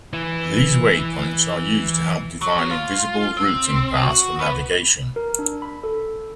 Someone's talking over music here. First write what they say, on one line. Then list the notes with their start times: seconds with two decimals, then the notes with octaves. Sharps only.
These waypoints are used to help define invisible routing paths for navigation.
0.13 E3 E4
2.41 F#3
2.70 F4
3.37 C4
4.03 F#4
4.40 B3
5.16 A#4
5.39 D4
5.62 B5
5.84 A4